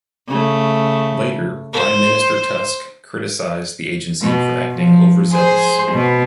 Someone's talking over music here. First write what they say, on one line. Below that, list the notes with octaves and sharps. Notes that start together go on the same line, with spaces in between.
Later, Prime Minister Tusk criticized the agency for acting overzealous.
C#3 A3
C5
B2
F3
G#4 C5
B2